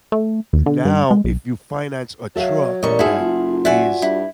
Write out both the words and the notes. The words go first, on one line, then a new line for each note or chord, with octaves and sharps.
Now, if you finance a truck that is
A3
D#2
D3
G2
G#3
B1
F#3 A4 C#5 E5 F5
A1 A#2 G3 D#5 C#6
G#2 C#4 E4 F#4 G#4 A4
F#1 F4
F#4 D5 E5 F#5 G#5
G2 E4